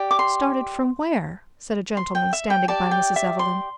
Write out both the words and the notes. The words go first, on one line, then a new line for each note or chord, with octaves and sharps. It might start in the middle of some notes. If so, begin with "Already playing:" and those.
"Started from where?" said a gentleman standing by Mrs. Evelyn.
Already playing: G4 D5
D6
C6
C6
G5
E5
G5
G4 D5 A5
G5
E5
C6